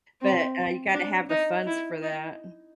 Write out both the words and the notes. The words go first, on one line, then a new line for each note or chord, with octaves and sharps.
but uh you gotta have the funds for that.
C4
D4
D#4
E4
D#4